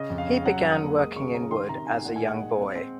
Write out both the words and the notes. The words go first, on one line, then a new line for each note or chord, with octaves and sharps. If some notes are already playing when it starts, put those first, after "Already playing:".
He began working in wood as a young boy.
Already playing: C#3 D#5
F2
F5
C#3
F#3 F#5
F#3
D#6
A#3
G#3 D#6
C#3 C#6
C#4 A#5
D#3 C6
C3 A#5
D#3 G#5
A#2 F#5
G#5
G#3 F#5
G#3
C4
C4